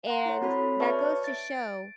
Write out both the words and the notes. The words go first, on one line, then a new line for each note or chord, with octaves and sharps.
and that goes to show,
F#5 A#5 C6
E4 C#5
C4 F#4 A4 C#5 B5
B4 C#5 D5 E5 A5 C#6
A6 D7